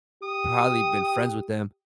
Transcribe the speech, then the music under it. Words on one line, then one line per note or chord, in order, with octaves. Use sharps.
probably been friends with them
G4 D#6